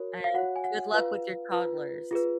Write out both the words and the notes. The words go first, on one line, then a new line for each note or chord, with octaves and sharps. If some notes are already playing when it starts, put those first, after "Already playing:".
And good luck with your toddlers.
Already playing: F#4 A#4 C#5
F5
F#4 C#5 F#5
G#5
F#5
F4 B4 F5
F4 B4
F4 G#4 B4